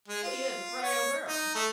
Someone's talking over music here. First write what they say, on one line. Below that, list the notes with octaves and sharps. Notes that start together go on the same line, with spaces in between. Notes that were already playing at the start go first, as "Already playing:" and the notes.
She is a frail girl.
G#3
F4
C#5
D#4
A3